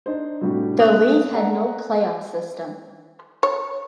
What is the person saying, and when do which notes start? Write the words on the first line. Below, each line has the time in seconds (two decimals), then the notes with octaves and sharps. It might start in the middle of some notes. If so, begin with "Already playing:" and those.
The league had no playoff system.
0.06 D4 D#4 C5
0.41 A2 C3 G3 D4 F#4 G4
0.80 E5 D#6 F#6 F7
1.34 A4 D5 F#5 A#5
3.43 C#5